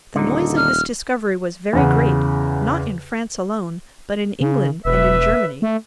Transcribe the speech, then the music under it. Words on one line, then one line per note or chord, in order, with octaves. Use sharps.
The noise of this discovery was very great, not in France alone, but in England and in Germany.
D#1 D3 D#4
F6
E2 C#3 F#5
C#3
E1 B4 E5
A3